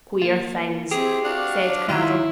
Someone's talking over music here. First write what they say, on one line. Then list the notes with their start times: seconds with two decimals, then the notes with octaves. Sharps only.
"Queer things!" said Cradell.
0.22 A#3 F4
0.91 C4 E4 G4 G#4
1.24 D4 F#4 F5
1.88 G#2 D#3 E4 F4